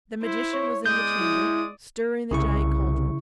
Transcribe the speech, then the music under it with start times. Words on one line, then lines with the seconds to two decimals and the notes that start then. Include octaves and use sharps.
The magician was in the chamber, stirring the giant cauldron.
0.22 E4 C5
0.53 C#5
0.86 G#3 D5 D#6 G6
1.20 E4
2.31 C2 C#3 E4 C#6